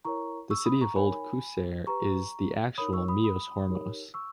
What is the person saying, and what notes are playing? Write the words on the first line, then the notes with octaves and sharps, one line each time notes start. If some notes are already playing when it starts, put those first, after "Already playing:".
The city of old Qusair is the actual Myos Hormos.
E4 A#4 C#5 A#5 C#6
C#6 E6
B5 D#6
A#5 C#6
D#4 A#4 C#5 G#5 B5
G4 B4 A#5 C#6
D#4 A#4 C#5 B5 D#6
C#6 E6
B5 D#6
B5 D#6
D#4 G4 A#4 C#5
C#6 E6